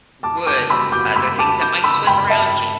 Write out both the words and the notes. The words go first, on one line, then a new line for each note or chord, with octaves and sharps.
wood, other things that might swim around you.
A5 D6
D6 G6
B5 E6
D6 G6
B5 E6
A5 D6
D6 G6
B5 E6
G5 B5
E5 A5